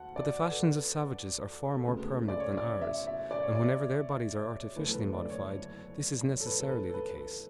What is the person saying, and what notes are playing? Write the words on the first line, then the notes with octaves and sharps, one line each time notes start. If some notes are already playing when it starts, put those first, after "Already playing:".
But the fashions of savages are far more permanent than ours; and whenever their bodies are artificially modified, this is necessarily the case.
Already playing: D2 F#5 A5
D5
B4
A4
B4
A4
D2 C#3 G#3 B4
A4
D5
C#5
D5
E5
E5
D5
C#5
D5
F#1 E2 D3 A3 B4
A4
B4
D5
C#5
A4
B4
A4
B4
A4
B4
B4
A4